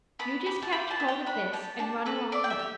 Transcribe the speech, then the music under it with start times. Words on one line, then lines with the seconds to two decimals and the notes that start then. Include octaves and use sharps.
You just catch hold of this and run along home.
0.19 B3 B5
0.46 G4 B5
0.63 A5
0.73 G4 B5
0.91 A5
1.00 B3
1.08 G5
1.27 D4 B5
1.53 G4 A5
1.79 D4 A5
2.06 A4 B4
2.32 A3 D5
2.44 G5
2.50 E5
2.59 G4